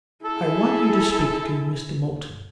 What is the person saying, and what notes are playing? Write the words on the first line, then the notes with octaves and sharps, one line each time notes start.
'I want you to speak to Mr. Moulton....
E4 G#4 A4